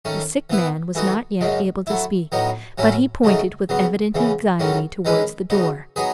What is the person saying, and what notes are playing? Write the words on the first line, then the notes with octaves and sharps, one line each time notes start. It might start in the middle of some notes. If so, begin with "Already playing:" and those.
The sick man was not yet able to speak, but he pointed with evident anxiety towards the door.
D#3 A3 C#4
E3 B3 E4 B4
E3 A3 D#4 F#4
F#2 C#3 G#3
F#3 A3 E4
A2 F#3 B3 D#4
A2 F#3 C#4 E4
C#3 F#3 A3 D#4
C#3 F#3 B3
E2 C#3 E3
E2 D#3 F#3 A3 C#4
D#3 G#3 C#4 E4 B4
C#3 F#3 B3 D#4
F#3 B3 D#4 G#4 B4